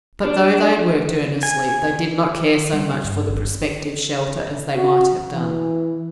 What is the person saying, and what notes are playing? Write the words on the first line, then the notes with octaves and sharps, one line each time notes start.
But, though they worked earnestly, they did not care so much for the prospective shelter as they might have done.
D4
G#5
G3
G2
G1
F#4
E3